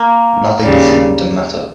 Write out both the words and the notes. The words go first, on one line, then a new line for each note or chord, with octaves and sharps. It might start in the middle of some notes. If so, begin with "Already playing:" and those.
Nothing seemed to matter.
Already playing: A#3
D#2 C#3 G3